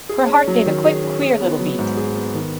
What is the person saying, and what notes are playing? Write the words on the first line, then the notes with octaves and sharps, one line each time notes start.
Her heart gave a quick, queer little beat.
G#4
C#4
F#3
D#3
G#4
C#4
G#4
B3
F#3
G#2
G#4
B3
D#3